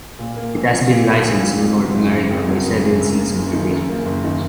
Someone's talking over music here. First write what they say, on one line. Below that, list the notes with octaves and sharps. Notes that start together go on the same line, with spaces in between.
It has been licensed in North America by Seven Seas Entertainment.
A#2
A#3
A#1
F3
A#2
A#3
A#1
F3
F2
F#3
F#1
C#3
F2
F#3
F#1
C#3
F#2
A#3
F#1
D#3
F#2
A#3
F#1
D#3